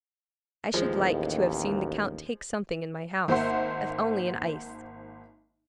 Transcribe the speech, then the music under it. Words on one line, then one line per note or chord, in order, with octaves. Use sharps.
I should like to have seen the count take something in my house, if only an ice.
A1 D#2 F3 G#3
G#1 A#3 C5 E5 F#5 C6